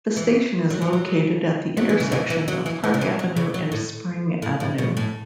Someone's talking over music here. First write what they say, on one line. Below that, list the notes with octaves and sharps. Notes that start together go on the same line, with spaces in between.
The station is located at the intersection of Park Avenue and Spring Avenue.
E3
F#3
E3
F#3
F#3
E3
C#3
E3
E3
F#3
E3
E3
C#3
E3
F#3
C#3
F#3
A2
A2
A2
B2
A2